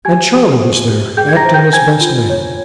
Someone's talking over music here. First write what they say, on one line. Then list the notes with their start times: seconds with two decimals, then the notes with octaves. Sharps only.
And Charley was there, acting as best man.
0.05 G4 G#5 G#6
0.34 G4
0.61 C5
0.90 G4
1.17 G#4 G5 G6
1.29 G#6
1.37 A#5 A#6
1.45 C5
1.54 G5 G6
1.73 C5 G#5 G#6
2.01 F4
2.30 C#5